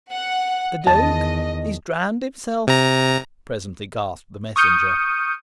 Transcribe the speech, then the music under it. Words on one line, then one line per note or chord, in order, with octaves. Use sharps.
"The Duke, he's drowned himself," presently gasped the Messenger.
F#5
E2 D#3 D#5 A5
C3 A#5
C#6 D#6 F6 G6 C#7 D#7